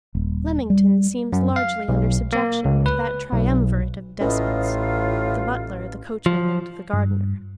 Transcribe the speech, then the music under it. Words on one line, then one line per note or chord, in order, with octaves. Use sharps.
Leamington seems largely under subjection to that triumvirate of despots--the Butler, the Coachman and the Gardener.
D#1
G3
F#2
F5
B1
A#3
C#2
B4
B1
A1 A2 C#4 F4 B4 D#5
F3
G2